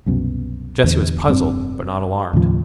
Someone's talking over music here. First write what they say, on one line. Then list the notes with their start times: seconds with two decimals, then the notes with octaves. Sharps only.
Jesse was puzzled but not alarmed.
0.06 C2 F#2 B2
0.84 E2 A#2 D3
1.26 F1 G2 C4
2.33 D#2 A2 C#3 F3